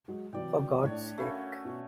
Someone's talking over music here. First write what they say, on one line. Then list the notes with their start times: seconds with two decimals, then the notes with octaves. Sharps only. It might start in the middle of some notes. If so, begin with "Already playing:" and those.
For God's sake.
0.08 F#3 G#3 F#4
0.33 C3 E3 F#3 D5 G5
0.83 A2 D4 C#5
1.18 A3 C#4 F#4 A#4 F5 B5
1.65 B2